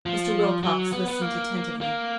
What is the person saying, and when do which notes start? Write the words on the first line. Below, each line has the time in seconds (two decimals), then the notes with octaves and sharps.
Mr. Wilcox listened attentively.
0.06 F3
0.63 F#3
0.92 B3
1.08 B3
1.21 A#3
1.81 A#3